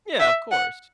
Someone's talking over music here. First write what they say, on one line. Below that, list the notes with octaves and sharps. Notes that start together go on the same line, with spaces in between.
Yeah, of course.
E5
F#5